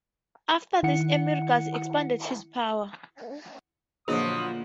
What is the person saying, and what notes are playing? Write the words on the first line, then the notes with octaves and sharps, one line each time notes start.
After this Emir Gazi expanded his powers.
D#3 E4 F#5 C#7
A#2 D3 F3 F#3 B3 G#4 D#5 D#6